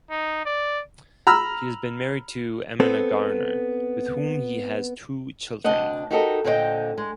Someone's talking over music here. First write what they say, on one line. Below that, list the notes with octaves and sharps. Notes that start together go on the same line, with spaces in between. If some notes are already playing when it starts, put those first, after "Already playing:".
He has been married to Amina Garner with whom he has two children.
D#4
D5
A#5 B5 E6 F6
B3 C4 A4
D2 C3 D4 D#5 F#5
D#4 F#4 G4 A4 A#4 D#5
A#2 D3 C4 C5 D#5 G5
G#3